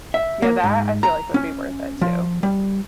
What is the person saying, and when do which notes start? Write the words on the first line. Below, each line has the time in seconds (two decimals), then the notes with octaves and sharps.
Yeah, that, I feel like would be worth it, too.
0.14 E5
0.42 A#3
0.63 G#2
1.03 A#5
1.34 C#4
2.01 F3
2.43 G3